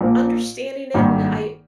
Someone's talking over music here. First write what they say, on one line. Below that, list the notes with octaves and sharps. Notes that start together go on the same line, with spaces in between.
Understanding it and I
A#1 A#2 F3 A#3
G#1 G2 D#3 A#3